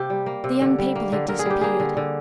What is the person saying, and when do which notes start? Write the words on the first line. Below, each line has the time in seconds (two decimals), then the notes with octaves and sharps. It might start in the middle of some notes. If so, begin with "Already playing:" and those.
The young people had disappeared.
Already playing: C3 A#3 G4
0.10 G3
0.26 A#3
0.44 C3
0.61 D3
0.79 G3
0.95 A#3
1.12 D3
1.28 D3 A#4
1.39 G#4
1.46 G3 G4
1.61 A#3 G#4
1.80 D3
1.97 D3